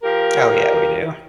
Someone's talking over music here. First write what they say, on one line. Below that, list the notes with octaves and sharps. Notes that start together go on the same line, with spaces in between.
Oh, yeah, we do.
F3 G4 A#4